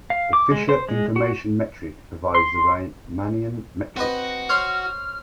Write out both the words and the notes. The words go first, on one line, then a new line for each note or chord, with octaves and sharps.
The Fisher information metric provides the Riemannian metric.
F5
D6
G#3
C5
G#3
F#4
C6
C4 F#4 B4 D#5
C5 C#5 C6 F6